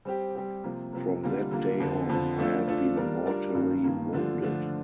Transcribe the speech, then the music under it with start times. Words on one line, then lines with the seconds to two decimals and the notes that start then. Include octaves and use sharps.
From that day on I have been mortally wounded.
0.05 G3 C4 G4
0.35 G3 C4 G4
0.64 C3 F3 A#3
0.93 C3 F3 A#3
1.22 D3 G3 A#3 F4
1.51 D3 G3 A#3 F4
1.80 F2 D3 F3
2.09 F2 D3 F3
2.39 F3 A3 D4 F4 A4
2.68 F3 A3 D4 F4 A4
2.96 G3 D4 F4 A#4 D5
3.26 G3 D4 F4 A#4 D5
3.55 G2 D#3 A#3
3.84 G2 D#3 A#3
4.13 D3 F3 A3 D4 F4
4.42 D3 F3 A3 D4 F4